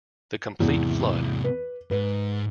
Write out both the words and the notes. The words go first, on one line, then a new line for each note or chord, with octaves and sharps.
The complete Flood!
E2 G#2 C3
B4
G#2 B4